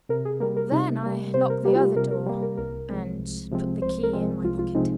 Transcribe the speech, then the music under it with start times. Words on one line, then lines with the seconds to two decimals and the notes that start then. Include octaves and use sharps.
Then I locked the other door, and put the key in my pocket.
0.09 C3 A#4
0.25 G#4
0.40 G3 A#3 A#4
0.57 A#4
0.72 C3 D#4
1.03 G3 A#3
1.34 C3 C5
1.50 A#4
1.65 G3 A#3 G4
1.75 F4
1.80 G4
1.96 C3 A#4
2.11 A#4
2.27 G3 A#3
2.42 A#4
2.57 C2 A#4
2.89 C3 F3 G#3 C4
3.20 C2
3.52 C3 F3 G#3 C4
3.82 C2 C5
4.03 A#4
4.13 C3 F3 G#3 C4
4.44 C2 F4
4.59 F4
4.75 C3 F3 G#3 C4 D#4